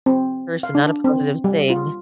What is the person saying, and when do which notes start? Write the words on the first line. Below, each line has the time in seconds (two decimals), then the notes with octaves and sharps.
person, not a positive thing.
0.06 C4
0.63 F5
0.75 D4
1.04 C4
1.44 G3
1.70 F4